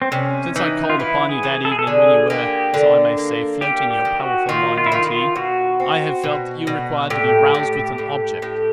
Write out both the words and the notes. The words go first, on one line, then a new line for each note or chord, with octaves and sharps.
Since I called upon you that evening when you were, as I may say, floating your powerful mind in tea, I have felt that you required to be roused with an object.
C4
C3 C#4
E3 D#4
F4
B3 E4
G#4
E3
A4
G#4
A4
D3 G#4
A#3 G4
D3
A#3
G3 G4
G4
D#3
F#4
D#3 F4
F4
E4
D#3 F4
F4
B2 F#4
C4
B2
B2
A2 G4
A2
A2
A2